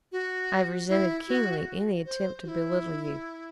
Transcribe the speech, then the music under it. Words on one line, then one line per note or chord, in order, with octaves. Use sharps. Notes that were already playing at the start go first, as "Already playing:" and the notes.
I have resented keenly any attempt to belittle you.
F#4
E4
F#4
C5
F#4
E4